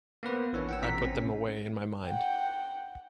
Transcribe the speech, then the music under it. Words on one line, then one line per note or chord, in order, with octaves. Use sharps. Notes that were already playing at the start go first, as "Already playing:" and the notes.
I put them away in my mind.
A#3 B3 B4 C5
A1 E3 D4 C#5
F#5 G5 E6
A1 C3 A#5 B6
C4 C#4
F#5 G5